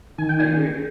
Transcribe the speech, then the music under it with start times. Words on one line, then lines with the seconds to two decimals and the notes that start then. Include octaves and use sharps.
I agree.
0.18 D#3 G#5
0.29 G5
0.39 G#5